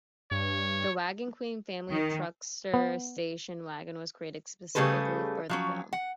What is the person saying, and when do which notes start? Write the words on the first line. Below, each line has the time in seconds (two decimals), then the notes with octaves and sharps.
The Wagon Queen Family Truckster station wagon was created specifically for the film.
0.31 G2 C#5
1.91 D#3
2.74 B3
4.75 C#3 G3 A3 G#4 A4 B4
5.49 F3 F#3 C#4
5.93 F#5